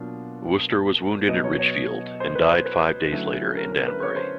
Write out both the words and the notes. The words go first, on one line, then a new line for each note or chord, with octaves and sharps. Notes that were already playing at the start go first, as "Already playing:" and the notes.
Wooster was wounded at Ridgefield and died five days later in Danbury.
Already playing: B2 F#3 A#3 D4 F4
B2 F#3 B3 D#5
C#5
C#5
C5
B4
C5
B4
D3 F#3 A3 C#4 E4
A#4
A#4
B4
C#5
C5